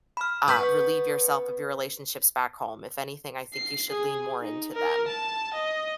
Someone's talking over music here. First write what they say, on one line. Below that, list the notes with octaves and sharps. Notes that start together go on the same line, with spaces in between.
uh, relieve yourself of your relationships back home. If anything, I think you should lean more into them,
B5 F6
B3 C#6 G6 B6
C7
G#4
D#4
A#4
A5
D#5